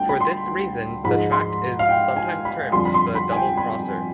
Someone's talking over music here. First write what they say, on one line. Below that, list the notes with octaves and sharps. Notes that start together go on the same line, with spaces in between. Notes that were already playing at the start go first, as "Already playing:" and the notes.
For this reason the tract is sometimes termed the double-crosser.
Already playing: D2 D3 G3 G5
B5
C6
G#2 F3 G#3 B5
C6
F5
G5
G#5
B5
F2 D3 G3 C6
B5
C6
B5
G#5
G5
B5